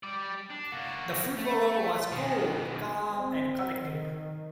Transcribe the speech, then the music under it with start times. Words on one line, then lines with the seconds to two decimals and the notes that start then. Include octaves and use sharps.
The footballer was cool, calm and collected.
0.03 G3 D5
0.50 D4
0.72 A#3 F#4
1.37 A3
2.12 B2 D#3
3.15 C4
3.76 D#3